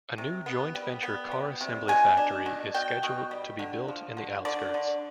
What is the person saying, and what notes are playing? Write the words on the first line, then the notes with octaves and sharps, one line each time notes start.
A new joint-venture car assembly factory is scheduled to be built in the outskirts.
C3
B3
G3
B3
G3
C3
B2 G#5
D4
B2
B2 G5
B2
G3
D3
F3
D3
D3 D5
D3